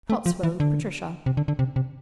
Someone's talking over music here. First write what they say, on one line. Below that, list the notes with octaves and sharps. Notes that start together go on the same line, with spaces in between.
Cotswold Patricia.
A3
F3
E3
D3
C3
D3
D3
C3
C3